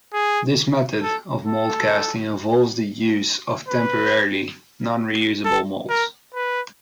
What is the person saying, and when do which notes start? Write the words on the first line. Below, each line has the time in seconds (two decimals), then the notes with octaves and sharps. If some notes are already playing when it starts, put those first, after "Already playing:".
This method of mold casting involves the use of temporary, non-reusable molds.
0.13 G#4
1.02 A4
1.46 A4
3.68 B4
5.45 A4
5.90 A#4
6.34 B4